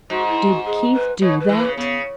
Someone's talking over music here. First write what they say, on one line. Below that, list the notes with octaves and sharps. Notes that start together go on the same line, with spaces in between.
"Did Keith--do that?"
G#2 F#4
E4
F#4
G#4
B4
B2 C#5
B4
E3
B4
C#3
C#3 B3